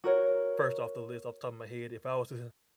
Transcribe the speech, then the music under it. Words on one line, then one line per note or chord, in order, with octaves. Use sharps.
first off the list, off the top of my head, if I was to ha
F#4 A#4 C#5